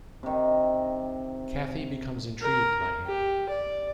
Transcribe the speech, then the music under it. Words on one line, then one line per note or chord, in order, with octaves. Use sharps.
Cathy becomes intrigued by him.
C3 D#3
A#4
G4
D5